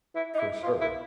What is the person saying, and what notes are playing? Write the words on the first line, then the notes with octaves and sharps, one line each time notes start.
For sure.
E4
D#4
E4
F4
E4